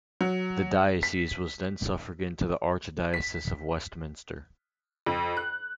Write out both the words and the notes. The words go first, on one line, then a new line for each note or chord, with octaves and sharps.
The diocese was then suffragan to the Archdiocese of Westminster.
F#3
B6
B6
F2
F#6